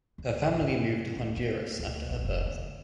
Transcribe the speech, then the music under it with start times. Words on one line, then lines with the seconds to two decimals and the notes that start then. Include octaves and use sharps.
Her family moved to Honduras after her birth.
0.18 D2
0.40 A#1
0.61 G2
1.17 D2
1.37 A3
1.79 D2
2.09 A#1
2.24 F1
2.46 D3